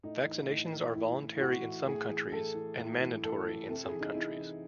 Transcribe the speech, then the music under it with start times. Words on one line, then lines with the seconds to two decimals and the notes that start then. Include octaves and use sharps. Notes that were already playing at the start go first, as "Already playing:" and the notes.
Vaccinations are voluntary in some countries and mandatory in some countries.
0.03 A2 D#4
0.26 E3
0.49 A2 D#4
0.72 E3
0.95 A2 E4
1.17 E3
1.36 E4
1.40 A2 F#4
1.63 E3
1.86 A2 G#4
2.09 E3
2.32 A2 A4
2.54 E3
2.78 A2
3.01 E3
3.24 A2 A4
3.46 E3
3.69 C3 A4
3.84 G#4
3.92 E3
4.00 D#4
4.15 C3 E4
4.38 E3